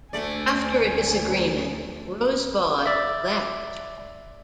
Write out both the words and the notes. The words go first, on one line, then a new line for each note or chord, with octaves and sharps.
After a disagreement, Rosbaud left.
D2 D3 A3 D5 G#5
D5 E5